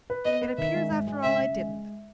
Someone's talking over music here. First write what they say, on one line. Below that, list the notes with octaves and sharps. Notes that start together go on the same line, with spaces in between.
It appears after all I didn't.
B4
B3 D#5
B4
D#3 E5
G#3
G#2
G#3
C#3 E5
C#3
G#3